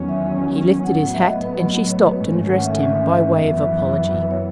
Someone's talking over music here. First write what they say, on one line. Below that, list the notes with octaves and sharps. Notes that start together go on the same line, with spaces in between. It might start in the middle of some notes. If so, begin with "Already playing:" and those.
He lifted his hat, and she stopped and addressed him by way of apology.
Already playing: E2 D#3 F#3 C#4
E5
F#5
A2 F#3 B3 F#5
E5
D#5
B4
D#5
C#5
B4
C#5
G#2 D#3 A3 C#4
F#5
E5
E5
F#2 E3 B3 E5
E5
B4
C#5